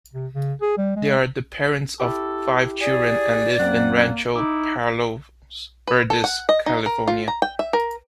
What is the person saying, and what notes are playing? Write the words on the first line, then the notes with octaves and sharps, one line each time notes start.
They are the parents of five children and live in Rancho Palos Verdes, California.
C3
C#3
G#4
G3
G#3
E4 G4 A4
G#4 D5
F#2 A#3 C4 F#5
D#4 E4 D6
B4
A4
F#5
D#5
D#4
A#4
F4
A#5
G5
E5
A#4